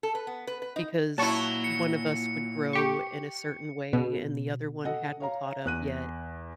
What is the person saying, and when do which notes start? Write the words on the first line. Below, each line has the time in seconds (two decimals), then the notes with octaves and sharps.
because one of us would grow in a certain way and the other one hadn't caught up yet.
0.03 A4
0.15 B4
0.27 B3
0.47 B4
0.62 B4
0.76 D#4
1.18 A#2 F#3 E4 A5 C#6
1.64 C#7
2.73 G4 C#6
3.93 B2
4.85 A4 D#5 F#5
5.20 C#5 F5 A#5
5.65 E2 F#6 D#7